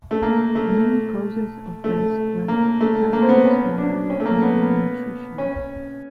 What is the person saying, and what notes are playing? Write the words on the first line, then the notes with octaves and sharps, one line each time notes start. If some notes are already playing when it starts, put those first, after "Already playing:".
Main causes of death were typhus, malaria, and malnutrition.
A3
A#3
A3
A3
A#3
A3
A#3
C4
B3
C#4
D4
C#4
A3
A#3
B3
C#4